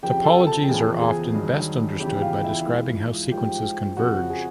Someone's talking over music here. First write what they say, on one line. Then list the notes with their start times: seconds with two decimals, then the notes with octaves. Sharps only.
Topologies are often best understood by describing how sequences converge.
0.03 F2 C#3 F3 G4 G5
0.24 A4 A5
0.47 A4 A5
0.63 G5
0.68 E2 C#3 F3 G#4 G#5
1.01 G#4 G#5
1.34 G2 D#3 F#3
2.00 E2 C#3 E3 G4 G5
2.22 F4 F5
2.44 E4 E5
2.66 G#2 E3
2.87 F4 F5
3.32 G#2 F3 G4 G5
3.97 F2 C#3 F3 F#4 F#5
4.30 G#4 G#5